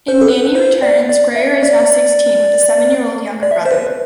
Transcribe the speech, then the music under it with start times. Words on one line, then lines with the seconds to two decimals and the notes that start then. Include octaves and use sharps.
In "Nanny Returns", Grayer is now sixteen with a seven-year-old younger brother.
0.08 C5
0.21 A4
0.28 B4
0.55 C5
0.82 D5
1.09 D5
1.36 E5
1.63 D5
3.43 D5
3.51 E5
3.66 C5
3.72 B4